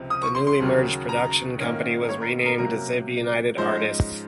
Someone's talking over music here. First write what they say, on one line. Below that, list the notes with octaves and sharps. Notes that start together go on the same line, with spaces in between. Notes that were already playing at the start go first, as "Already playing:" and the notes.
The newly merged production company was renamed Ziv-United Artists.
Already playing: C#2 C3 F3 C4
D#6
C#6
C6
C6
D#2 C#3 F#3
A#5
G#2 D#3 A#3 C#4
C#5
A#4
A#4
C3 F#3 A#3 C#4 A#4
G#2 F3 G#3 C#4 C5